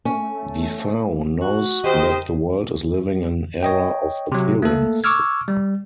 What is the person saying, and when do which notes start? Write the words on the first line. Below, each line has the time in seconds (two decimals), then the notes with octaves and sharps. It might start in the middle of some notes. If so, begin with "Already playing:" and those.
Defao knows that the world is living an era of appearance.
0.05 A3 C#4
1.41 F#4
1.84 D#3 G4 C5 D#5
3.63 C#5 D#5 G5
4.32 C3 F#3
4.62 A3 A#3 A4
5.04 C#6 D6 E6 F6 G#6
5.48 G3